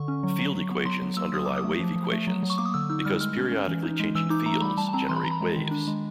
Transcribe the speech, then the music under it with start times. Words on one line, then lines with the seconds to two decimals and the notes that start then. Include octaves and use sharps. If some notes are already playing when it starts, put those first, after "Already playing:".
Field equations underlie wave equations, because periodically changing fields generate waves.
Already playing: D3 C#6
0.08 C#4
0.23 F#3
0.39 F#3
0.55 F#3
0.71 B3
0.86 F#3 C6
1.02 F#3
1.17 A#3 E6
1.33 F#3 D#6
1.45 F#3 D6
1.56 D#6
1.64 A3
1.80 F3
1.96 F3
2.12 A3
2.27 F#3
2.43 F#3
2.50 C#6
2.58 A#3 D6
2.65 D#6
2.74 D3 E6
2.90 D#4 E6
3.05 G3 F6
3.21 G#3 F6
3.37 C#4
3.52 C#4
3.68 E3
3.83 D#4
4.00 G#3
4.15 E3 E6
4.30 D#4 D6
4.46 A3 A#5
4.62 G3 B5
4.78 G3 A5
4.89 A5
4.93 C4 A#5
5.09 E3 C6
5.16 B5
5.24 E3 A#5
5.31 B5
5.41 G#3
5.56 D#3
5.71 D4
5.88 G#3